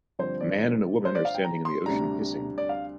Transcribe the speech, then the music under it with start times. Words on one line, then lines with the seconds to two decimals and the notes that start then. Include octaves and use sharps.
A man and a woman are standing in the ocean kissing.
0.19 G2 D3 F3 C4 C5
0.41 D5
1.05 C5
1.15 D5
1.25 F5
1.35 G5
1.45 A#5
1.65 C6
1.86 D2 C3 G3 D4 A#5
2.58 D5
2.69 F5